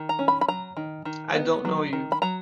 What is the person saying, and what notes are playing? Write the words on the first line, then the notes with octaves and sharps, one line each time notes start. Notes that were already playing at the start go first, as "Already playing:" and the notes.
I don't know you!
Already playing: D#3
A#5
C#4
B5
B5
F#3 A#5
D#3
D#3
B3
F#3
D#3
B5
F#3 A#5